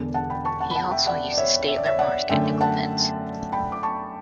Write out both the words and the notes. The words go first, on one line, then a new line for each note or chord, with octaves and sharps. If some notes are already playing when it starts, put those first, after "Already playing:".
He also uses Staedtler Mars technical pens.
Already playing: E1 E2 D3
F#5 A5
G5 B5
A5 C#6
F#5 A5
B5
F#5 A5
E5 G5
D5 F#5
D5
C#5 E5
E5
D5
C#5 E5
D5 F#5
F#2 D3 A3 C#4 E5 G5
F#5 A5
G5 B5
D6
A5 C#6